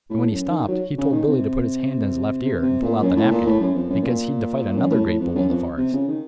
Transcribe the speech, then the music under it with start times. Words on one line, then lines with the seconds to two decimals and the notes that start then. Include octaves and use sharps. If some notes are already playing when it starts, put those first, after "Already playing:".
And when he stopped he told Billy to put his hand in his left ear and pull out the napkin, because he'd to fight another great bull of the forest.
0.10 A2
0.30 F#2
0.49 D#3
0.68 F#3
0.98 C#3
1.12 D#3
1.27 C3
2.43 C3
2.62 C3
2.82 A#2
3.02 F#2
3.16 A2
3.30 A#2
3.46 A2
3.60 F#2
3.75 F2
3.89 F#2
4.03 A#2
4.77 F#2
4.90 A2
5.05 A2
5.20 F2
5.35 F#2
5.48 F2
5.77 C3
5.93 C#3
6.07 D#3